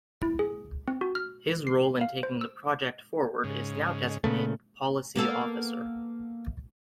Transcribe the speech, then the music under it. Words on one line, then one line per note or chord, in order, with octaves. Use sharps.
His role in taking the project forward is now designated 'Policy Officer'.
E4
G#4
C4
F#4
F6
C7
F5
C5
E6
G#2 C#3
A#2 C#3 A3 B3
A#3 B3 A4